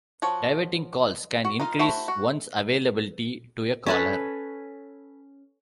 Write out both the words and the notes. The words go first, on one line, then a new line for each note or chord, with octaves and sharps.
Diverting calls can increase one's availability to a caller.
F3 F#4 C#5
F#4
D#4 F4 D#5 F5
A3 E4 F#4 C5 E5
F#4
C#4 A4 B4